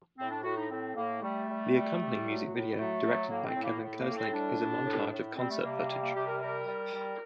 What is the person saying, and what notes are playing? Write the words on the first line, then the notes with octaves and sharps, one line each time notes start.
The accompanying music video, directed by Kevin Kerslake, is a montage of concert footage.
A2 C4
D4
A2 F#4
D#4
A2 C4
A2 A#3
G3 A3
G3
G3
G3
F#3
A2
F#3 A3
F#3
A2 A#3
C4
A2
A#3
A2
A#3
A2
C4
G3 D4
A2
A2
A2
G3 C4
A3
C3 A#3
A#3
G3 A#3
A#3
C3 G4
A#4
G3 A#4
G3
G3